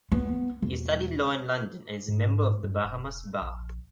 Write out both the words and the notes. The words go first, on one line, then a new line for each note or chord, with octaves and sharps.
He studied law in London and is a member of the Bahamas Bar.
B3
E1
G#2
G2
E1
A#1